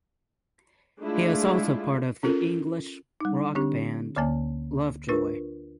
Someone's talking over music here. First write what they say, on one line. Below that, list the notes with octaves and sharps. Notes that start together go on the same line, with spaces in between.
He is also part of the English rock band Lovejoy.
G#3 A3 D4 E4 F4
C#4 F4 A4 A#4
G3 D#4
D3 C4 D4 G4
D2 D3 A#3 G#5
D4 F4 A#4 B4